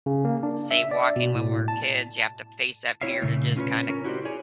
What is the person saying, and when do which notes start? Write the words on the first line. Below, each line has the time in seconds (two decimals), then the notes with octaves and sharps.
say, walking when we're kids, you have to face that fear to just kinda
0.06 C#3
0.25 A#3
0.43 D4
0.71 E5
0.91 D5
1.16 B2
1.35 A2
1.68 A5
3.01 C4 E4 C#5 E5 F5
3.22 A#2 C#3 A3
3.56 C#4 F4 A#4 B4 C#5
3.89 C#4 A#4
4.04 E4 F#4 G4 B4 C5 D5
4.25 G#4 C#5 D5